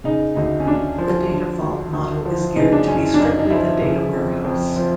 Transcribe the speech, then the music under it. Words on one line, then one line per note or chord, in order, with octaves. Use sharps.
The data vault model is geared to be strictly a data warehouse.
C#3 D#4
D2 D#4
C#4
D2 D4
F3
D3
D2
D2
F3
C#3 D#4
D4
F#2 C#4
D4
F#2 D#4
D#4
F3 E4
C#3
F2
F2
F3